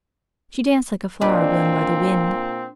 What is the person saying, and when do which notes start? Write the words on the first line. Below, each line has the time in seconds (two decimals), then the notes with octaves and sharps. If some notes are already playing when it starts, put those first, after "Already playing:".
She danced like a flower blown by the wind.
1.21 A#2 C4 D4 B4 D#5